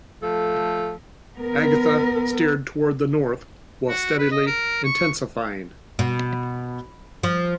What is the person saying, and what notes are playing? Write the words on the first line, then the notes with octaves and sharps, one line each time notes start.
Agatha steered toward the north while steadily intensifying.
F3 A3 A4
B3 A#4
F#4
B4
D#5
A#4
C#6
B2
F3